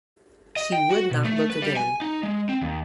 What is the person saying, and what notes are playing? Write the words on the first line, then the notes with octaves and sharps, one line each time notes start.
She would not look again.
D#5
G5
F#4
B2
A3
B4
G3
G#5
D#4
G#3
C4
D#2